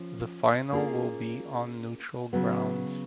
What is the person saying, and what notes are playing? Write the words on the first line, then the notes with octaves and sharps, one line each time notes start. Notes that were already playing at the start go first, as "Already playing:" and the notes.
The final will be on neutral grounds.
Already playing: F3 C#4
A#3 C#4 F4 G#4
C#3 F#3 B3